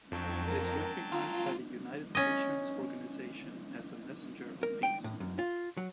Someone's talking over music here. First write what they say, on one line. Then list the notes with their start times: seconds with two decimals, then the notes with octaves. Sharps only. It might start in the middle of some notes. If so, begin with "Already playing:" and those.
It is recognized by the United Nations Organization as a messenger of peace.
0.12 F2 F#3 G5 A5 C#6
0.46 A#4
1.12 F4 A#5
2.15 C#4 D#5
4.63 A#4
4.83 G5
5.04 A2
5.20 F#2
5.39 F4
5.77 F#3